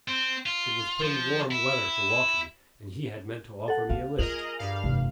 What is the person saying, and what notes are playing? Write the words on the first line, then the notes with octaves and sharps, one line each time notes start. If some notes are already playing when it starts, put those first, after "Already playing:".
It was pretty warm weather for walking, and he had meant to offer me a lift.
C4
F4
F3
E4
A4 F#5
D4 F5
F4 G#4 A#4 D#5 F7 F#7
G2 F5
F1 E3